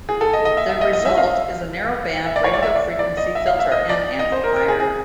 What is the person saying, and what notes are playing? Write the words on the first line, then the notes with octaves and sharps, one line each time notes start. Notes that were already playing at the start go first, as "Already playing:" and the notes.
The result is a narrow-band radio-frequency filter and amplifier.
G#4
A4
D#5
D#5
E5
E5
D#5
D#5
E5
F5
E5
D5
C#5
D5
E5
D5
D5
D#5
E5
F5
E5
D#5
D5
D#5
C5
A#4
A#4
G#4
G#4